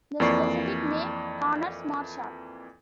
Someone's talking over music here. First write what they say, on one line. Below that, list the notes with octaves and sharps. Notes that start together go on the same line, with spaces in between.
The specific name honours Marshall.
F2 E3 A#3 D5 C#6 C7